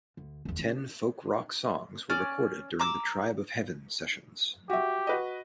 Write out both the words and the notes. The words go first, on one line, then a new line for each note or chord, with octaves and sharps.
Ten folk rock songs were recorded during the Tribe of Heaven sessions.
D2
F1 D#2
C#3
C#4 D5 F6
A#5 D6 E6
F#4 G4 E5
F#4 B4 D#5